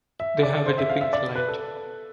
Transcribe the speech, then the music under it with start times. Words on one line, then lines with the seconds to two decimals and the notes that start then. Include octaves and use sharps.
They have a dipping flight.
0.20 E5
0.43 D5
0.66 C5
0.78 E5
0.89 F5
1.01 E5
1.13 D5
1.35 B4
1.48 A4